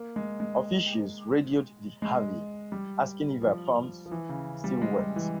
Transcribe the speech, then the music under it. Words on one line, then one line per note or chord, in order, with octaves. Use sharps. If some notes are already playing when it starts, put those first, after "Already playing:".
Officials radioed the "Harvey," asking if her pumps still worked.
Already playing: A#3
G#3
G#3
G#3
G3
F3
F3
E3
C#3
G3
G#3
G3
E3